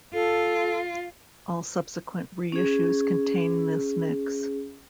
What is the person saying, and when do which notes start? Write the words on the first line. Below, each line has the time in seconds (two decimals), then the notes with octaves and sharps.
All subsequent reissues contain this mix.
0.14 F4 A4
2.52 C#4 G#4